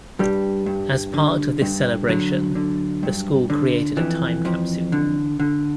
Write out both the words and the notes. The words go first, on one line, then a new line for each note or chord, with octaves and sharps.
As part of this celebration, the school created a time capsule.
G2 G3
G2
D3
G2
D3 F#3
D3
G2
D3
F2 E3
F2
D3
D3